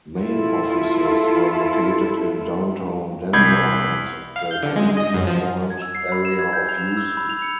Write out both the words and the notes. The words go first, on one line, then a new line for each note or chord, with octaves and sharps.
Main offices were located in downtown Denver and the Greenspoint area of Houston.
E4 F4 A4
C2 B5 G6 G#6
F5
G6
D3
G#3
D#5
F#2
F3
G#6
E6
C7
B5
E7
G#6
G6
F7
E6
B5
F7
C#7